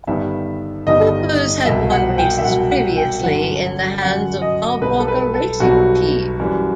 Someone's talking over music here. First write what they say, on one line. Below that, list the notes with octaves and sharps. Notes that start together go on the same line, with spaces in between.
Coopers had won races previously in the hands of Rob Walker Racing Team.
G1 G2 D#3 G3 B3 E5
G1 G2 D#3 G3 B3 D#5
C2 B2 F#3 E5
F#5
G5
E5
C2 B2 F#3 F#5
F#5
G5
G1 F#2 F#3 F#5
G1 F#2 F#3 F#5
D#5
B1 B2 G3 C4 B4
A4
B4
A4
B1 B2 G3 C4 F#4
F#2 E3 G3